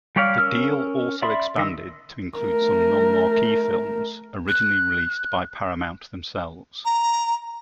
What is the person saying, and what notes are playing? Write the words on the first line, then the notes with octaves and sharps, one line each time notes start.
The deal also expanded to include some non-marquee films originally released by Paramount themselves.
G3 G4 C#5 D5 F5
C#4 A#4 E6 F6
D5 E5 B5 C6
D#3 D#5 E6
A3 A#4
F#6
A#5